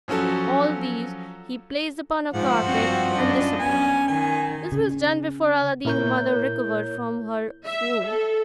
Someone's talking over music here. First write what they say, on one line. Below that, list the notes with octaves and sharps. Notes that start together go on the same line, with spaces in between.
All these he placed upon a carpet, and disappeared; this was done before Aladdin's mother recovered from her swoon.
F3 F#3 C#4 F#4 A4
G#2 F3 F4 F#5
G2 C4 F#4
F#2 D4 D#5
B3 C#4 G#5
D#3 G#5
C#3
A#2 E4 A#4 C#5 G6
E5
A4